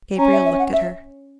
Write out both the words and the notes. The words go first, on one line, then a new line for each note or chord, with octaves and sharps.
Gabriel looked at her.
C#4 A#5
E5
E5
F#5
E5